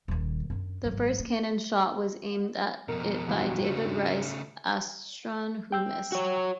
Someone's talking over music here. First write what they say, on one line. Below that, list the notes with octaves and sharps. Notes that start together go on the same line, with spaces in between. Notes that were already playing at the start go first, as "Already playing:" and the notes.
The first cannon shot was aimed at it by David Rice Atchison, who missed.
D#1 D#3
F#2 D4
G#1 F#2
A#3
F2 B2 A#4
G1 E3 F#4 G5
C#3 A3
G#2 D4
G5 E6 G6
F#4 C#5